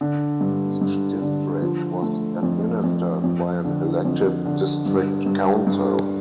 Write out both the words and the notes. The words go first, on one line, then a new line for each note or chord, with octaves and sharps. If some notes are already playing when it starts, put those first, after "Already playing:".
Each district was administered by an elected district council.
D3
G2
G2
D3
F3
A3
F2
F2
F2
D3
F2
D3
G2
G2
G2